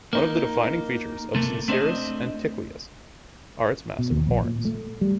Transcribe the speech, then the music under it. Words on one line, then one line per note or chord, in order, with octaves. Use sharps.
One of the defining features of "Syncerus antiquus" are its massive horns.
A#3 D#4
C3 A3 A#3
A3 C4 D4 A4 C5 D#5
B2
D#2
A#1
A#2
A3
G3